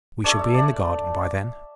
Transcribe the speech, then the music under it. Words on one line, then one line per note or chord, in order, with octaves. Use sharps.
We shall be in the garden by then.'
A3 D4 C#5
E5
D5